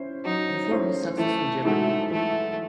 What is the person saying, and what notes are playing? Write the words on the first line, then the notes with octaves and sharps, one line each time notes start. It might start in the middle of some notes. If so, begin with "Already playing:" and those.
Before his success on Jeopardy!
Already playing: C#4 E4 C5
F#3 D#4
C#4 E4 C5
E3 A3
G#3 A3 D#4 F#4 A4
E3 A3